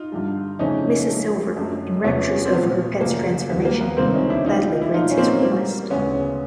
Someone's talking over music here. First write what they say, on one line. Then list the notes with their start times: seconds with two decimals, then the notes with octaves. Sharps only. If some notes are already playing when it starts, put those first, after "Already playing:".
Mrs Silver, in raptures over her pet's transformation, gladly grants his request.
Already playing: D#4 F4
0.12 G2 D3 G3
0.59 F2 C#3 E3 A3 C#4 D#4
1.09 G#2 F3 A3
1.56 F#2 D3 F#3 A3
2.04 E2 C3 F3 A3 B3 C#4
2.45 C4
2.53 A#2 F#3 A3 B3
3.00 F#2 C#3 F3 A3 A#3
3.49 D#2 D#3 G3 B3
3.65 A#3
3.81 B3
3.97 C#2 C3 D#3 G3 A#3 C4
4.14 C#4 D#4
4.29 D4 E4
4.45 G#2 E3 A3 D#4 F4
4.82 E4
4.94 A#2 F#3 A3 D#4 F4
5.11 C#4
5.17 A#3 C4
5.42 G#2 E3 G3 A#3
5.90 D2 C#3 E3 G#3 B3 C#4